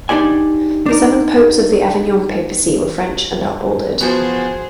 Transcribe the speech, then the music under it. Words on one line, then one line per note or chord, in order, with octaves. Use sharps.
The seven popes of the Avignon Papacy were French and are bolded.
D4 D#4 G4 D5 G#5
D4 D#4 A#4
F3 B3 F#4 G#4 C5 G#5